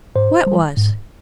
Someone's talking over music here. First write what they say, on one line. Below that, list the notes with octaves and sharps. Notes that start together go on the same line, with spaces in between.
"What was?"
G#2 C5
G3
G#2